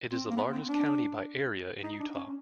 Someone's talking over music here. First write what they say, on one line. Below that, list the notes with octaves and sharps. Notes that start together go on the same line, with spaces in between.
It is the largest county by area in Utah.
C4
A#3
B3
C4
D4
D#4
D4
C#4